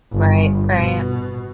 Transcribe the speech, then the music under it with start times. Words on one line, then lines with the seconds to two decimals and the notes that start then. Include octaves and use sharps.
Right, right.
0.13 G1
0.76 B2